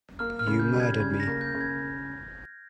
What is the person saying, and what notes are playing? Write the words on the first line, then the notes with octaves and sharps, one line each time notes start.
You murdered me.
A#3 F6
F6
C#3
G6
G3
G#6
C#3 G#6
A#6
A#3
G6
C#3
G#6